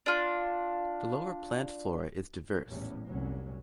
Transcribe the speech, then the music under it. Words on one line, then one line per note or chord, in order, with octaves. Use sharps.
The lower plant flora is diverse.
D4 F4
A#1 E2 A2 G3 C#4
F1 C2 F#3 C#4